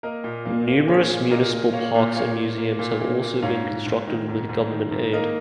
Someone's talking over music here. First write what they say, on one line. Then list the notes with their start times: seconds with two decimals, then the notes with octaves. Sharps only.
Numerous municipal parks and museums have also been constructed with government aid.
0.03 A#3 A#4 D#5
0.24 A#2
0.45 A#3
0.68 A#3
0.88 A#3 G#4 C#5
1.10 A#2
1.31 A#2 A#4 D#5
1.52 A#2
1.73 A#3 C#5 F5
1.95 A#2
2.15 A#3 C#5 F5
2.37 A#2
2.58 A#3
2.79 A#2
3.01 A#3
3.22 A#3
3.42 G#2 C#5 F5
3.64 G#2
3.86 G#2
4.07 D#3
4.28 G#2
4.49 G#2
4.70 D#3
4.91 G#2
5.13 A#3 A#4 D#5